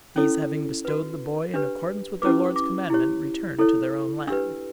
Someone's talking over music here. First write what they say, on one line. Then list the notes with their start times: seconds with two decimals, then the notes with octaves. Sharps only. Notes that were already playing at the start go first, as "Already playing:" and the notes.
These having bestowed the boy in accordance with their lord's commandment, returned to their own land.
0.16 C#4 E4 A4 C#5
0.85 F#4 B4
1.54 D4 G4 B4
2.22 C#4 E4 G4 B4 D6
2.56 D6
2.90 E4 G4 C#5
3.59 E4 A4 C#5
4.27 D4 G4 B4 E6